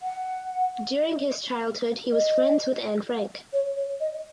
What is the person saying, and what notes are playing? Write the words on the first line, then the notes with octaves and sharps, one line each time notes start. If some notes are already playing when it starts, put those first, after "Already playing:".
During his childhood he was friends with Anne Frank.
F#5
D#5
C#5
C#5
D#5